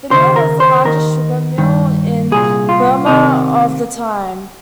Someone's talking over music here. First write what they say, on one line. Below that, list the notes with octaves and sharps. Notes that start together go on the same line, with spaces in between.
The mill was the largest sugar mill in Burma of the time.
D#2 C#3 C5
A#4
C5
D#2 D#3 A#4
G2 D#3
C2 A#2 G#4
F4
C3 D#3 D#4